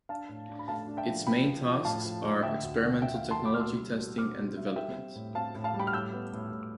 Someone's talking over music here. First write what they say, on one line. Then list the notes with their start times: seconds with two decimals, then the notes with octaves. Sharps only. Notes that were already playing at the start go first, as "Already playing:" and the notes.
Its main tasks are experimental technology testing and development.
0.09 D4 F5 A5
0.29 A2
0.49 D4
0.59 B5
0.68 A3 F5 A5
0.87 D4
0.97 E5 G5
1.07 F3
1.26 F3 G5 B5
1.46 F3
1.66 F3
1.85 A2 F5 A5
2.04 F3
2.24 A2
2.43 D3 E5 G5
2.63 D2
2.82 D3
3.02 D3 E5 G5
3.16 F5
3.22 F3
3.31 A5 C6
3.40 D2
3.45 B5 D6
3.54 F6
3.60 B2 C6 E6
3.80 G3
3.99 B2
4.18 C4 D6 F6
4.37 B2
4.57 G3 E5
4.67 F5
4.76 G3 E5 G5
4.96 C4
5.15 A2
5.35 C4 F5 A5
5.55 A2
5.64 F5 A5
5.74 G3
5.79 G5 B5
5.87 F6
5.93 A2 E6 G6
6.13 B3
6.33 A2
6.52 A2